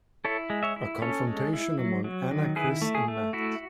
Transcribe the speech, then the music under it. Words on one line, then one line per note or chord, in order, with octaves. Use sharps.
A confrontation among Anna, Chris and Mat.
E4 A4 C#5
G#3
C#5 E5
E4
C#4 A4 C#5
G#3
E4
F#3
F#3
D#3
E4 G#4 B4
A3
G#4
A3
E4 F#4